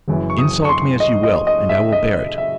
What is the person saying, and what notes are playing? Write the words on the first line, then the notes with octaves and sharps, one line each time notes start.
Insult me as you will, and I will bear it.
F#1 F#2 E3
C#6
D#6
C#6
C6
D#5
D#5
D#5
E5
D#5
E5